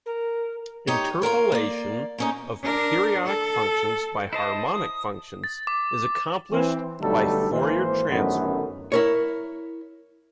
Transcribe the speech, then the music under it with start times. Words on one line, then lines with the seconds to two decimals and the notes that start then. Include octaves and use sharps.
Interpolation of periodic functions by harmonic functions is accomplished by Fourier transform.
0.05 A#4
0.87 D#4 G4 C#5
1.22 F4 F#4 A#4 C#5
1.52 A#3 D5
2.18 A#3 C#4 D#4
2.62 D4 A#4
3.25 A4
4.33 E4 C5 D#5 A5
4.73 D#6
5.44 A6
5.67 D6
6.51 E3 C4
7.00 B1 D3 G3 A3 D#4 A4
7.51 G#1 E3 A#3 C5
8.08 A1 F#2 D3 D#3 A3 B3
8.92 E4 A#4 C#5